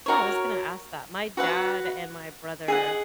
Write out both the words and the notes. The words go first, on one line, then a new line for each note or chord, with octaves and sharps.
Yeah, I was gonna ask that, my dad and my brother
F#4 A#4 C#5
F#4 B4 F#5
G#4 D#5 F#5